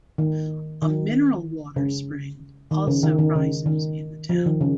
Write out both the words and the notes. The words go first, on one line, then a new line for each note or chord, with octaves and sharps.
A mineral water spring also rises in the town.
D#3
D#3
C#3
D#3
C#3
D#3
D#3
C#3
D#3
F3
D#3
C#3